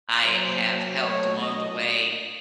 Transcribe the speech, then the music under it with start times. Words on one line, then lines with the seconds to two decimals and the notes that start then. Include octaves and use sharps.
I have helped along the way,
0.23 F#3 A#3 D4 C5
1.01 F#3 A3 D4 C#5
1.40 D#5